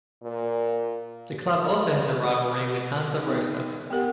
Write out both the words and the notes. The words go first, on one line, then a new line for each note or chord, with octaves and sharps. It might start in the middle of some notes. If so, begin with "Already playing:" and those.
The club also has a rivalry with Hansa Rostock.
A#2
B3 D#4
B3 G4 A#4 F#5